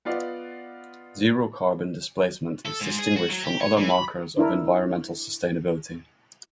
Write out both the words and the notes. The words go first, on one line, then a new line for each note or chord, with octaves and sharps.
Zero Carbon Displacement is distinguished from other markers of environmental sustainability.
B3 F4 D5 D#5 F#5
A4
G#2
G#4
F#4
F#3
G4
C#5
E3
B5
D4 E4 A#4